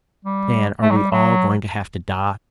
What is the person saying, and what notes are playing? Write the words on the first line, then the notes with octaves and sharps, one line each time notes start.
Dan, are we all going to have to die?
G3
A3
F#3
G3
F#3